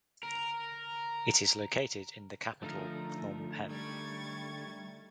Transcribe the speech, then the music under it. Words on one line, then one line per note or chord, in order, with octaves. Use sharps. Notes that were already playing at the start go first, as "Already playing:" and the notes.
It is located in the capital Phnom Penh.
A#4
D3 F3 A3 D#4 A#4
G3 C#6 G#6 A6